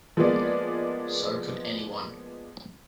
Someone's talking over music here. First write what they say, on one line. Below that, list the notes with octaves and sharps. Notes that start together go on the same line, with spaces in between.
So could anyone.
F3 G#3 A#3 B3 D5